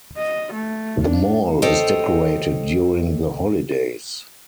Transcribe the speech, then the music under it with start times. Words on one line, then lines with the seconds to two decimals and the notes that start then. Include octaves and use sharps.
The mall is decorated during the holidays.
0.17 D#5
0.53 A3
1.02 D4
1.62 A4 C5 C#5 D#5 G5